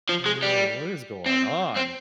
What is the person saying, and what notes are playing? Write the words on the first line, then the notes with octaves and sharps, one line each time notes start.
Yeah, what is going on?
F3
G#3
G3
C4
C4